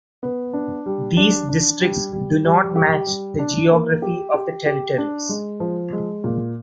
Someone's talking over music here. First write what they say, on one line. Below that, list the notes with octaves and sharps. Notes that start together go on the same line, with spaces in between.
These districts do not match the geography of the territories.
B3
D4
G3
D4
D4
G3
G3
G3
G4
G3
D4
A#3
G4
G4
G4
D4
G#3
F3
G#3
A#2